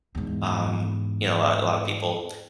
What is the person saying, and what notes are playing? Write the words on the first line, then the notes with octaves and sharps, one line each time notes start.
Um, you know, uh, a lot of people
E2 G#2